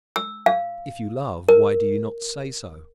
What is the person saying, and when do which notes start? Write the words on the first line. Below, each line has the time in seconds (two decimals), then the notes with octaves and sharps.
If you love, why do you not say so?
0.16 E6
0.46 F5
1.49 A#4